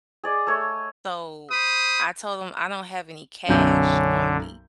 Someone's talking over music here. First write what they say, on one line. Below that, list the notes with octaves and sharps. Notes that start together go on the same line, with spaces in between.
so I told him, "I don't have any cash on me,"
G#4 D5 D#5
A3 C#5
C5 B5 D#6
B1 F#2 D3 C#4 G6